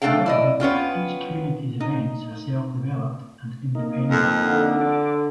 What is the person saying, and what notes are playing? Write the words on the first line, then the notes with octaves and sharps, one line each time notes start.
However, each community's events are self developed and independent.
A3 A#3 D4 A4 F5 G5
E4 D5 D#5
B3 C#4 F4 G5
D#4
A#3 D#4
F2
D3
D5